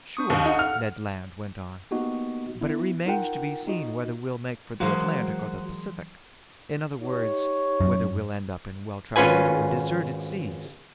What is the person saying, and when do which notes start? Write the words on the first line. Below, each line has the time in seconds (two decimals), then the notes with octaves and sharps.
"Sure," Ned Land went on, "but it remains to be seen whether we'll make for the Atlantic or the Pacific, in other words, whether we'll end up in well-traveled or deserted seas."
0.17 D4 C#6 D#6
0.30 D#2 F5
0.45 D#4 A4 F#5
0.59 F6
1.91 A#3 B3 D#4 F#4 G4 D#5
2.61 B3 E4
3.06 D#4 F4 A#4 F#5 G5
3.67 D#4 F4 F#4 D#5
4.80 E3 F#3 G#3 F#4 A#4 C5 F5
7.02 D#4 G4 C#5
7.80 F#2
9.16 G#1 C#4 F4 B4 G#5